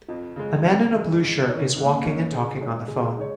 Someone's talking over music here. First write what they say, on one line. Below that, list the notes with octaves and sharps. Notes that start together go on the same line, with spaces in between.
A man in a blue shirt is walking and talking on the phone.
F2 F4
C#3 G#3
F2
C#3 G#3
G#2
D#3 C#4 A#4 C#5
G#2 C#4
A#3
C#4
D#3 C#4 D#4 A#4 C#5
C#3 G#4
G#3 D#4 C#5
C#3 G#4
G#3 D#4 C#5